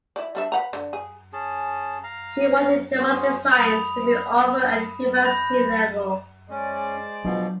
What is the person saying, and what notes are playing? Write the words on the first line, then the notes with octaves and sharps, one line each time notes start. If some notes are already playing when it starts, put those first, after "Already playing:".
She wanted Domestic Science to be offered at the university level.
E4 D5
G3 D4 E5
B4 F#5 A#5
D3
G#4
C#4 G#4 A5
F5 A#5
C#4 F#4 G#4 C5
B5 D#6 F7
B5 F#6 G6 A#6
G#3 C#4 C5 D5
B2 F3 F#3 D4